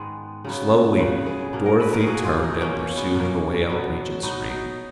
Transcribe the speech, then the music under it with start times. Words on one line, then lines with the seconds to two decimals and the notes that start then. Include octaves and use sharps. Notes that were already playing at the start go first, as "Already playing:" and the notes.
Slowly Dorothy turned and pursued her way up Regent Street.
Already playing: G#2 D#3 G#3 B3
0.45 C#3 F#3 B3
0.98 C#3 F#3 B3 B4
1.26 G#4
1.53 B2 A#3
1.66 A#4
1.80 B4
1.93 A#4
2.00 G#4
2.07 B2 A#3 F#4
2.25 F4
2.43 D#4
2.61 B2 A#3 C#4
2.79 C#4
2.97 B3
3.15 B2 A#3 C#4
3.69 B2 F#3 B3
4.23 B2 F#3 B3 D#4
4.50 D#4